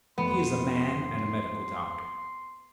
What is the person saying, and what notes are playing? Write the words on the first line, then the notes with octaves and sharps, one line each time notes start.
He is a man and a medical doctor.
F1 B3 C6